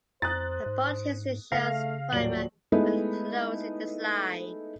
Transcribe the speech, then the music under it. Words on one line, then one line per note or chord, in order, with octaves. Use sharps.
A bolt hits the shell’s primer when closing the slide.
F2 C5 A#5 D#6 F#6 A6
G#2
C#3 A3 F5 A#6
D#1 A2 F#3 D5 F#7
G#3 A3 B3 D#4 E4 B4